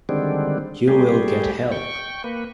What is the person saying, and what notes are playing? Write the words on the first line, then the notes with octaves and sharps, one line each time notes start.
You will get help.
D3 D#3 G3 G#3 C4 D4
G3 A3 G4 G#4
G5 C#6
A#3 B4